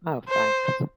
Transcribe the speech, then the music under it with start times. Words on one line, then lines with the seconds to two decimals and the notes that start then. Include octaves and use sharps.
Oh, thanks.
0.29 C5